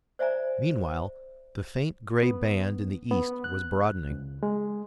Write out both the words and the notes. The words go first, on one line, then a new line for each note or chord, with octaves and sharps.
Meanwhile, the faint gray band in the east was broadening.
C5 D5 E5 G#5 A#5
B3
B3
F#6
C#2
G#3